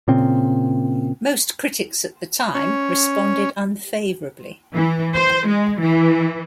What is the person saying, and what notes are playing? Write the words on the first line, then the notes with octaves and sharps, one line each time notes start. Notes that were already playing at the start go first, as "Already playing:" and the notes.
Most critics at the time responded unfavorably.
A#2 C#3 C4
C#4
E3
C5
G#3
E3